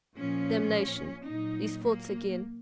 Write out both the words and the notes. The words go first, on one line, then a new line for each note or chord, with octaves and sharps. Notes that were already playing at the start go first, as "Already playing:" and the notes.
Damnation, these thoughts again!
A#2 F3 C#4
A#2 F#3 D#4
A#3